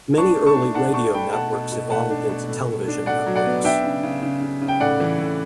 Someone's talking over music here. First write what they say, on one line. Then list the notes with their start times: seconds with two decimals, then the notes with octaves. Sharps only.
Many early radio networks evolved into Television networks.
0.18 D4 A5 C#6
0.37 A3
0.47 A5 C#6
0.56 D4
0.75 D4 F#5 A5
0.94 A3 A5 C#6
1.14 A3 G5 B5
1.33 B2 F#5 A5
1.53 B2
1.72 B2
1.90 A3 F#5 A5
2.10 D4
2.29 B2
2.49 A2
2.68 A2
2.88 D4
3.06 A2 D5 F#5
3.26 F#3
3.36 D5 F#5
3.46 B3
3.64 D4 E5 G5
3.84 C#3
4.03 C#3
4.22 C#3
4.41 C#3
4.62 C#3
4.68 G5
4.80 A2 D5 F#5
5.00 E3
5.19 A2